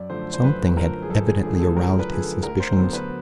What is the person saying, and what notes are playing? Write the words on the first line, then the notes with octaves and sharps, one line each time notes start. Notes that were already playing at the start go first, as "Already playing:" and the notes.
Something had evidently aroused his suspicions.
Already playing: F#2 D5
D3 F3 A3 C5
C5
F#2 B4
D3 F3 A3 A#4
G#4
F#2 A4
G#4
D3 F3 A3 G#4
G#4
A4
F#2 A#4
B4
D3 F3 A3 G#4
A4
D2 A#4
C5
D3 F#3 B3 C5
B4